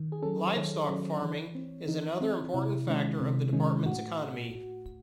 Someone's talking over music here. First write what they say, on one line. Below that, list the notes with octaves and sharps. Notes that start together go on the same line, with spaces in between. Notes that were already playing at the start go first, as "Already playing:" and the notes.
Livestock farming is another important factor of the department's economy.
Already playing: D#3
G#4
F#3 C#4 A4
C5
D#3 C#5
F#3 C#4
E3
C4
E3 D#4
C4
C3 E4
D#3 G#3 C#4
C3
D#3 G#3 C#4
A2 F#4